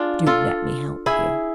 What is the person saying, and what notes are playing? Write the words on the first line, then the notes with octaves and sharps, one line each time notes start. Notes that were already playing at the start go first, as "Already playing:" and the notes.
"Do let me help you."
Already playing: D4 F4 G#4
F4 A4
E4 G#4